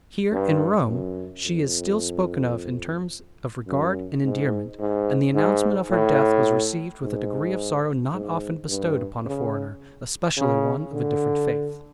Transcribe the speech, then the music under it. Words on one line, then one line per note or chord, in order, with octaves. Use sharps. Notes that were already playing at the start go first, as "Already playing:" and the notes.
Here, in Rome, she is still spoken of in terms of regard and endearment, and the announcement of her death was received with a degree of sorrow not often bestowed upon a foreigner, especially one of a different faith.
G2
F#2
F2
F#2
G#2
G#2
G#2
A2
G#2
G#2
G2
C#3
C#3
D3